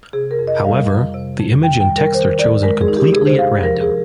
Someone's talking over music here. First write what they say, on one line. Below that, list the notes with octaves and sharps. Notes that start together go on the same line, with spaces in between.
However, the image and text are chosen completely at random.
C3 G#4
A#4
F2
D#5
G3 F5
F2
C3
F2
D#3 G5
G5
G3
A#4
D#3 C5
D#2 D5
G#3 A#4
G#4
D#4
G4
C3 G#4
C5
D2 F5
F3 A#4
G#4